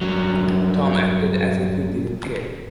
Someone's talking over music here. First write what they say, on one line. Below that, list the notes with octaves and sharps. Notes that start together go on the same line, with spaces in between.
Tom acted as if he didn't care.
G2 F#3